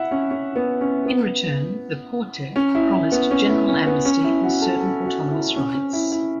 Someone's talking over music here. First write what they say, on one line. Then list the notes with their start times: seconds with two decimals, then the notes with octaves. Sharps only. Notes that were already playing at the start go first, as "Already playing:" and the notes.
In return the Porte promised general amnesty and certain autonomous rights.
Already playing: E4 E5 F#5
0.11 C#4
0.31 C#4
0.56 B3
0.81 C#4
1.05 B3
2.56 C#4
2.75 E4
2.93 E4
3.12 B3
3.31 C#4
3.49 E4
3.68 C#4
3.87 B3
4.05 C#4
4.24 E4
4.43 F#4
4.62 A4
4.81 A4
5.06 F#4
5.31 E4
5.56 C#4
5.74 C#4
5.93 E4
6.12 E4